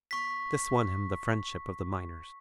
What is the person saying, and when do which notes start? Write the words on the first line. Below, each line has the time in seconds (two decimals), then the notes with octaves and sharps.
This won him the friendship of the miners.
0.11 C#6 B6